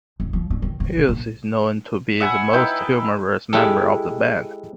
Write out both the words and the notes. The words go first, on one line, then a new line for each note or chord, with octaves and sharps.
Hughes is known to be the most humorous member of the band.
D2
F3
D4
D#3
D#3
B2
A#1
E5 F#5 G#5 B5
D#4 E4 B4 G5
G#3 E4 G4 A4